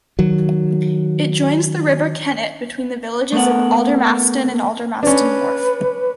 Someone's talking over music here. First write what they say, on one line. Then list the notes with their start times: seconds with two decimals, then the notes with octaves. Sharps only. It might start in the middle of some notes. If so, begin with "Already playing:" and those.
It joins the River Kennet between the villages of Aldermaston and Aldermaston Wharf.
0.19 D#3 F#3
3.32 A3 B3 A4 A#4 F#5
5.03 C#4 D4 B4